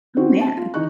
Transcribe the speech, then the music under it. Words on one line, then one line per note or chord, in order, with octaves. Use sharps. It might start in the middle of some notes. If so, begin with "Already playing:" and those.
Oh, man.
D#3 C4 F#4
A5
F4
E3 D#4 C#6 F#6